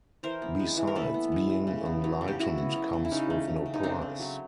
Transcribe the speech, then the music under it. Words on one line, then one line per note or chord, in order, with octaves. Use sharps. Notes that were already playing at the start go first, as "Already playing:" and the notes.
Besides, being enlightened comes with no price.
E3 A#4 C5
B3
G#3
E3
A#4
E3 A4 B4
B3
G#3
E3
C#3
B3
F#3
C#3
G4
C#3 E4 F#4
B3
F#3
C#3
E4
C#3 C#4 D#4
A3
F#3
C#3
D#4
C#3 C4 D4
A3
F#3